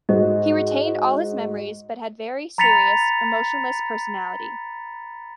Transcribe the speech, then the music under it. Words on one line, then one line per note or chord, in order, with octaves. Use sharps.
He retained all his memories but had a very serious, emotionless personality.
G#2 F#4 C5 D#5
A#5 B5 A6 B6 C#7 F7